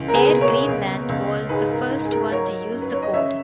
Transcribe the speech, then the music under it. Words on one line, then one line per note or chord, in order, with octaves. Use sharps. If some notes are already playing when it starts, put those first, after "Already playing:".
Air Greenland was the first one to use the code.
Already playing: C#2 E3
A#4
G#4 B4
B2
A#4 C#5
C#2
C#2
G#2 G#4 B4
A#4
G#2
G#4
A#4
F#3 A#4 C#5
F#2
B4
C#5
D#5
C#3 C#5 E5